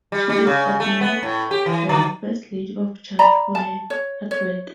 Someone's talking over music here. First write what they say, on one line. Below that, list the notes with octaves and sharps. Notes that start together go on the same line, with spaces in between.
She is admired by the first lady of Chad for her hardwork.
G3
G3
C#3
A3
B3
A2
G4
E3
D3
D5 A#5 B5
A5
C#5
C#5